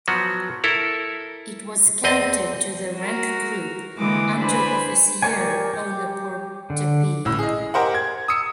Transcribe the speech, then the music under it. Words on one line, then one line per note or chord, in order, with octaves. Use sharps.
It was counted to the rank-group Unteroffiziere ohne Portepee.
F3 F#3 B3 F#4
E4 A4 A#4
E2 C4 D#5
F#4 A#4
D3 E3 G#3 A#3 D6 D#6
D4 B4 C5 G#5 B5
G4 A#4 C#5 D5 G#5
G4
D3
A1 A2 E6
G#4 D#5
G4 A#4 C5 D#5 F#5
G#6
D#6 E6 C#7